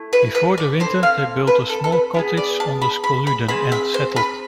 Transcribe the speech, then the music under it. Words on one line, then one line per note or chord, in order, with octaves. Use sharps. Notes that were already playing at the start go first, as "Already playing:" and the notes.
Before the winter they built a small cottage on the Skoludden, and settled.
Already playing: A3 E4
B4
B4
D5
C4 E4 A4 C5
F5
B4
A4
A4
B4
B3 F4 G#4
D5
A5
B5
B5
B5
C4 G#4 B5
E5
C5
B4